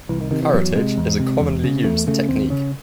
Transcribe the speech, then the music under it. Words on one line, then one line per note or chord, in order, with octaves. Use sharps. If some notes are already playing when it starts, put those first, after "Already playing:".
Curettage is a commonly used technique.
C2 E3
D#3
C3 D#3
E3
E2 F#3
C3 G#3
E2
C3
E2
C#3
E2 A3
C#3 A3
D#2 C4
C#3 C#4